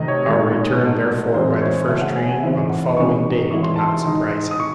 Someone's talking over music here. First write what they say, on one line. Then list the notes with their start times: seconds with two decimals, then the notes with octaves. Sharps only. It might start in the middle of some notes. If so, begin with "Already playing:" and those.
Our return, therefore, by the first train on the following day did not surprise him.
Already playing: C3 D#3 A3 D#5
0.08 C#5
0.26 G#2 D#3 G#3 D#4
0.81 G#2 F#3 A3 D#4
1.34 F#2 E3 G#3 C4 E4 C5
1.62 C#5
1.88 C#3 F#3 A3 C#4 E5
2.02 F#5
2.15 G#5
2.29 G#5
2.42 C#3 E3 C4 D#4 E5
2.70 F#5
2.97 E2 C3 D#3 G#3 C#4 C#6
3.51 G#2 E3 G#3 C#4 E4 C#6
3.63 C6
3.76 A5
3.87 C6
4.06 D#3 G#3 D#4
4.51 D#6
4.60 C#6